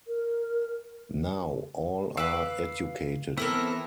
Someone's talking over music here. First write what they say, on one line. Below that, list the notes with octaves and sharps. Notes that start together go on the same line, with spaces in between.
Now all are educated.
A#4
B4 F5 D6 E6
E3 B3 C4 E4 A4 A#4